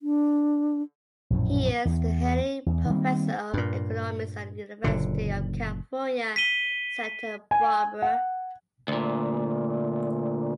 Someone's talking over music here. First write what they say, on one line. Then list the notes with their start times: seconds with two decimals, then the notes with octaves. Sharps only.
He is the Henley Professor of Economics at the University of California, Santa Barbara.
0.02 D4
1.30 A#1 F#2 A2
1.85 E2
2.66 E2
2.90 D#3 G3 A#3 C4
3.54 G2 A#2
4.84 F#1 A#2 D3
6.36 B6 D#7 G7
7.51 G#5
8.02 F#5
8.88 D2 A#2